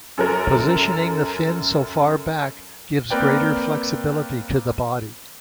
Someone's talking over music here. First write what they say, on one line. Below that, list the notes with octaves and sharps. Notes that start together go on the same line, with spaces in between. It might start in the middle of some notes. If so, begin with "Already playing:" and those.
Positioning the fins so far back gives greater flexibility to the body.
F#2 A4 A#4 A#5
A#3 C4 A#4 B4 D5 G5